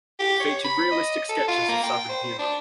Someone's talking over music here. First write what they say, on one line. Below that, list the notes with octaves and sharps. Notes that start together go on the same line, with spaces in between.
It featured realistic sketches of Southern humor.
G4
C#5
B5
D#5
A4
F4
A#3
G5
C5
D4